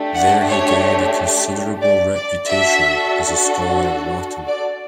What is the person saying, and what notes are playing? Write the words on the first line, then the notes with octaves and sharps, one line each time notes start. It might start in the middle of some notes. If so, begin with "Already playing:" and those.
There he gained a considerable reputation as a scholar of Latin.
Already playing: A3 D4 G4
F#5
C#5
D5
D5
D4 F#4 A4 E5
D5